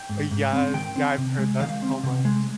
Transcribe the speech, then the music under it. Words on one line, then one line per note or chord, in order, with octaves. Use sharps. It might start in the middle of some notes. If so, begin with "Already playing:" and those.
Eh, yes, yeah, I've heard that so much.
Already playing: G5
G#2
G#2
C4
D#3 G5
C4
C3
G#3
D#3 F5
C4
C3
G#3